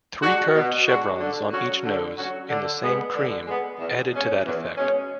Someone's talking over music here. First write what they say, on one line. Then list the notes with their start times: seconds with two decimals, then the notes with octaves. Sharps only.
Three curved chevrons on each nose, in the same cream, added to that effect.
0.23 G#3 D4 F#4
0.55 B2
0.87 G#3 D4 F#4
1.20 D3
1.53 F#3 C#4 F#4
1.85 D3
2.17 F#3 C#4 F#4
2.49 D3
2.82 G#3 B3
3.14 D3
3.47 G#3 B3
3.79 E2
4.12 B2 G#3 C#4
4.45 E2
4.77 B2 G#3 C#4